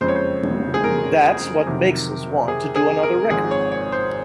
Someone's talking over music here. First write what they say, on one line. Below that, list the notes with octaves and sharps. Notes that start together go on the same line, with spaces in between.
That's what makes us want to do another record.
F#1 F2 C#3 G#3 C4 C5
C#5
C5
G#4
A#4
F2 C3 D#3 F#3
G#4
G#4
A#4
G#1 G#2 F3 C4 G#4
C#5
C#5
C5